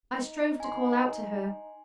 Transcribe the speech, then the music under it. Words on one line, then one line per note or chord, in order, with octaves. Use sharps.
I strove to call out to her.
D#4
G#5 C6